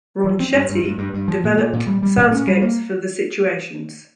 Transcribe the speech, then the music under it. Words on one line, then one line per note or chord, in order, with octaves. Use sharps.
Ronchetti developed soundscapes for the situations.
F3
C4
G2
G2
G2
G2
G2
F3
A#2
A#2
A#2
G3
G3
A#2
C#4
G3
A#3